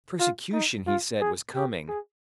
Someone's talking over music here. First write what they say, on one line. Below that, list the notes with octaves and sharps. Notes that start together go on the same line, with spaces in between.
Persecution, he said, was coming.
F4
D#4
F4
G#4
G4
G#4